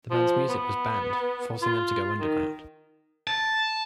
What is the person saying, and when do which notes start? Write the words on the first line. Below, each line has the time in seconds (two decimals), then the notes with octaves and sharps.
The band's music was banned, forcing them to go underground.
0.11 F3
0.49 B3
1.62 F4
2.20 D#3
3.27 A5